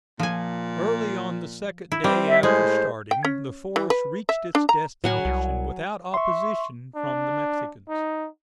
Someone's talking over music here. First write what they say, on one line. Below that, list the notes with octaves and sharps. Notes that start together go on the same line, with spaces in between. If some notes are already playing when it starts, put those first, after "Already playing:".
Early on the second day after starting the force reached its destination, without opposition from the Mexicans.
A#2 F3 G#5
E4
G3 C4
E5
A2 G#3 C5
G5
C#4
E3
B4
E5
D4
A#5
A2 F#3 F#5 G#5
C2
E5 C6 C#6
D4
D#4